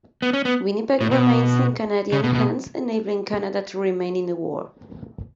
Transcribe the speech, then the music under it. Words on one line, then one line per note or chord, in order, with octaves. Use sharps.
Winnipeg remains in Canadian hands, enabling Canada to remain in the war.
B3
C#4
B3
A2
B2
C#3
B2
B2